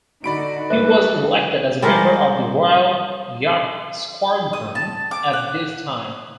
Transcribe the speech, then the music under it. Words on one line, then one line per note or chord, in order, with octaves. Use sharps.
He was elected as a member of the Royal Yacht Squadron at this time.
D3 D#4 F#4 D5 B5 D7
G2 E3 G3 B4 E5
G3 G#3 A#4
D#6
A5
D6
F#5